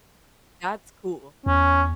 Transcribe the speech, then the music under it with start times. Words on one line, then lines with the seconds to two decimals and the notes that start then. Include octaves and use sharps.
That's cool.
1.46 E2 C#4